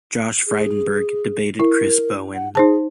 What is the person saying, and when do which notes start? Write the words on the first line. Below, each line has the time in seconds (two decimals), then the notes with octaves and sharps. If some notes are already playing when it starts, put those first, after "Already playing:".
Josh Frydenberg debated Chris Bowen.
0.48 G#4
1.60 E4 A#4
2.35 F#5
2.55 D#4 G#4 C5 A5